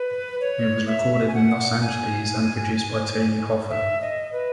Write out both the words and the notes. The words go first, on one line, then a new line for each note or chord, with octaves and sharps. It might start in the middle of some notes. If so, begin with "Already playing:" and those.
It was recorded in Los Angeles and produced by Tony Hoffer.
Already playing: B4
C#5
E5
G#5
F#5
G#5
E5
D#5
B4